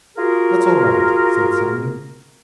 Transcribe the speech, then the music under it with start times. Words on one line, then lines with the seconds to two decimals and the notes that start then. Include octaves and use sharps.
'That's all right,' said Simon.
0.17 F4 F#4 G#4 A#4